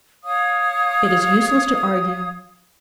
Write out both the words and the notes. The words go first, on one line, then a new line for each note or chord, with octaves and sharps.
'It is useless to argue.
C#5 F5 D#6